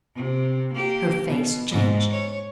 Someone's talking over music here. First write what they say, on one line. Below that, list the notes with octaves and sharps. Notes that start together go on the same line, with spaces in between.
Her face changed.
C3
A#3 G4
B2
G#2
C#5